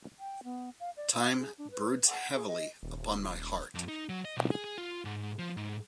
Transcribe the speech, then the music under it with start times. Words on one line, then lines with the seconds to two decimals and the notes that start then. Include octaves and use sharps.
Time broods heavily upon my heart.
0.19 G5
0.44 B3
0.80 F5
0.97 D5
1.13 F5
1.39 G#4
1.58 D4
1.71 B4
2.05 F#5
2.34 G#4
2.47 D#5
2.83 D#1
3.75 F2
3.88 D#4
4.09 F#3
4.25 D#5
4.37 B1
4.51 G#4
4.64 G#4
4.78 F4
5.05 G#2
5.39 F3
5.57 G#2